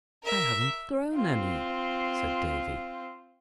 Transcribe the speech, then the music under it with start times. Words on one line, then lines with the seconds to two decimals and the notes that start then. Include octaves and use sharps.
"I haven't thrown any," said Davy.
0.23 A#4 E5
1.14 C4 F4